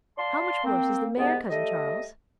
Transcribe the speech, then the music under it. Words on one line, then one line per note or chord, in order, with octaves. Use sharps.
"How much worse is the mare, cousin Charles?"
D5 F5 A5 C6
A#3 C4
C2 G#2 B3
G3 A3 D#5